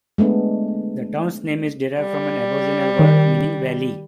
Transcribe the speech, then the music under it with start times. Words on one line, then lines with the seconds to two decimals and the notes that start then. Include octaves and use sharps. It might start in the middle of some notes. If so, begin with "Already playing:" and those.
The town's name is derived from an aboriginal word meaning "valley".
0.18 G#3 A3 B3 D4
2.00 G3
2.99 D#3